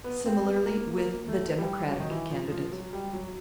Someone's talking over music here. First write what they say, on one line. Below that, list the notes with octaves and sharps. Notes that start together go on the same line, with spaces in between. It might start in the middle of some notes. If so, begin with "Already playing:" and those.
Similarly with the Democratic candidate.
B3
C4
B3
A#3
A#3
A3
G3
F#3
D#3
E3
F3
F3
F#3
G3
F#3